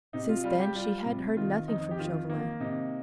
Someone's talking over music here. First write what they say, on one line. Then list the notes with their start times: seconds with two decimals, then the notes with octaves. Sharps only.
Since then she had heard nothing from Chauvelin.
0.13 C3 D#4
0.29 F4
0.44 G3 F4
0.60 G4
0.75 G3 F4
1.06 C3
1.37 D#3 F4
1.68 F2 D#4
1.91 G4
1.99 D#3 F4
2.29 A#3
2.60 C3 D#4